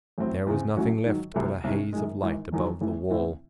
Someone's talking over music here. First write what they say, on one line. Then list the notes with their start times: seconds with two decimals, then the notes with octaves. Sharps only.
There was nothing left but a haze of light above the wall.
0.18 A1 A2 F#3 C4
0.47 E2 C#3 E3 C4
0.76 A1 A2 F#3 C#4 F#4
1.05 G#2 D#3 F#3
1.34 C2 C3 F#3 A3
1.64 C2 C3 D#3 G#3 C#4
1.93 F#2 D#3 G#3
2.23 G#1 G#2 E3
2.52 E1 E2 D#3 F#3
2.81 A1 A2 E3
3.10 A2 E3 C4 E4